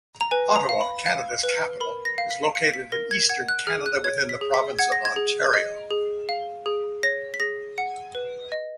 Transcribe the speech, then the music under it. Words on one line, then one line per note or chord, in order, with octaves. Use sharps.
Ottawa, Canada's capital, is located in Eastern Canada, within the province of Ontario.
A#5
B4 G#5
A#5
F5
B5
F5
B4
A#4 B5
A#6
F5
B6
F5 C#7
B6
A#4 A#6
G#6
F#5 G#6
F#6
G#4 F6
F#6
C#5 G#6
B6
G#4
B6
F#5 G#6
A#6
G#6
G#4
D#5 G#6
G#4
F5
G#4
C#5 A#6
B6
G#4 A#6
F#5 C#7
B4
D#5